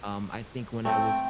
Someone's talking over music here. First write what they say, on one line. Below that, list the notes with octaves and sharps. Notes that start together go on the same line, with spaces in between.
Um, I think when I was,
A3 C4 G5